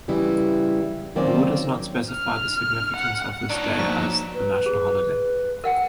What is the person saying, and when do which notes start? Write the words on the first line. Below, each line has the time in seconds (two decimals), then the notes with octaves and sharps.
The law does not specify the significance of this day as the national holiday.
0.08 C#3 E3 G3 E4
1.15 D#3 F#3 A#3 C4 C#4 D5
2.12 F6
2.97 F#5
3.50 D#3 F#3 D4 D7
3.79 F3 A#3 A#5 B6 E7
4.34 B4
4.66 G#4
5.64 A#4 F#5 G5